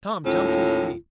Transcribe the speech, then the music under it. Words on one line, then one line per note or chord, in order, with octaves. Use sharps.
Tom jumped to his feet.
D#2 A2 C#4 F4